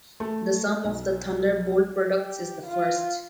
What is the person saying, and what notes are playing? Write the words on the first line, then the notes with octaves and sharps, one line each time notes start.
The sum of the thunderbolt products is the first.
A3
B1
G4
F4